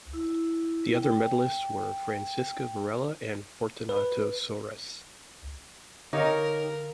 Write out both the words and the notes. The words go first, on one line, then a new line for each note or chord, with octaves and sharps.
The other medallists were Francisca Varela and Fortunato Soares.
E4
G5
B4
D3 D#4 G4 A#4 C#5 F5